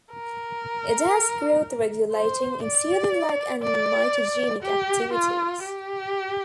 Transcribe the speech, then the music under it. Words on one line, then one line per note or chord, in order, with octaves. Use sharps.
It has growth-regulating, insulin-like and mitogenic activities.
A#4
C5
D5
D5
G4
F4
G4